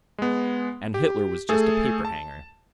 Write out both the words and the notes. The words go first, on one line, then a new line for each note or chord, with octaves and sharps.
"And Hitler was just a paper-hanger."
G#3 B3
G4
A3 G#4 A4
A5